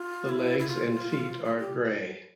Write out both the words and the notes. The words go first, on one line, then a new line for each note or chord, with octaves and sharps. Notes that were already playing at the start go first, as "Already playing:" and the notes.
The legs and feet are gray.
Already playing: F4
E4
E4
F4
F4
G4